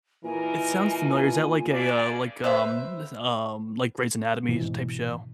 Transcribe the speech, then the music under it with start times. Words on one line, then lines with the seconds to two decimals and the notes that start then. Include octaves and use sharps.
It sounds familiar. Is that like a, uh, like, um, um, like Grey's Anatomys type show?
0.25 E2 A#2 E3 D#4 A#4 G#5
1.71 G2 C#3 D5
2.44 B4 C5 E5
4.49 G#2 B2 E3